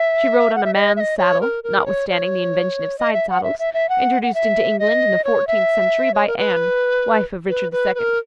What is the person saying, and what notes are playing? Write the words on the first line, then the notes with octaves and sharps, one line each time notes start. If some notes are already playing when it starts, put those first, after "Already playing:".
She rode on a man's saddle, notwithstanding the invention of side-saddles, introduced into England in the fourteenth century by Anne, wife of Richard II.
Already playing: E5
F#5
E5
D#5
E5
D#5
C#5
A#4
A#4
C#5
C#5
D#5
E5
F#5
E5
E5
E5
F#5
F#5
E5
D#5
C#5
E5
C#5
A#4
B4
B4
B4
B4
A#4